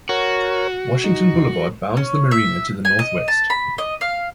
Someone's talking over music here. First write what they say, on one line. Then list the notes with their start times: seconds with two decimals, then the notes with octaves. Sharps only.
Washington Boulevard bounds the Marina to the northwest.
0.09 F#4 A#4 C#5
1.04 D#4
1.97 C#4
2.31 E5
2.85 G#5
2.99 D#5
3.28 A5
3.50 B5
3.78 D#5
4.01 F5